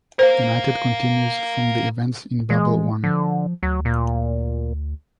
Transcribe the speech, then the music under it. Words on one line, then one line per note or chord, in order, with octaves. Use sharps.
"United" continues from the events in "Babel One".
A#4 C5 F5
E3 G#3
D3 F3
D2 F#3
A#2